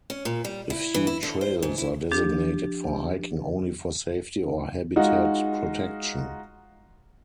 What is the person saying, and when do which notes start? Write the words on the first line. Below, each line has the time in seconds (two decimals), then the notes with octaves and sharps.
A few trails are designated for hiking only for safety or habitat protection.
0.10 C#4
0.25 A#2
0.45 G3
0.70 E4
0.94 E3
1.07 E4
1.23 D3
1.41 C5
1.62 G#2
1.78 E4
2.11 F3 D4 G4
4.96 G#3 D#4 F4 F#4